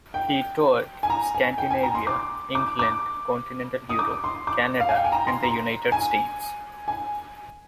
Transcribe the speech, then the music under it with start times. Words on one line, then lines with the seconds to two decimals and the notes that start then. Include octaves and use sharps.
He toured Scandinavia, England, continental Europe, Canada, and the United States.
0.14 G5
1.03 G#5
1.10 A#5
1.35 G#5
1.58 G5
1.70 G#5
1.83 A#5
1.95 C6
2.07 D6
2.55 D6
2.79 D6
3.89 D#6
3.99 D6
4.24 C6
4.47 D6
4.80 F5
4.89 G#5
4.96 G5
5.04 G#5
5.12 A#5
5.27 C6
5.43 A#5
5.92 G#5
6.88 G#5